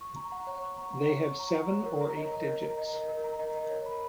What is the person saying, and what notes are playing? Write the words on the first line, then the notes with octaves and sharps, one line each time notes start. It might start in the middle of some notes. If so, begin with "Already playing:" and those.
They have seven or eight digits.
C#6
A#5
F#5
C#5
C#6
A#5
F#5
C#5
C#6
A#5
F#5
C#5
A#4
A#5
D#5
A#4
A#4
A#5
D#5
A#4
A#4
A#5
D#5
A#4
C#5
B5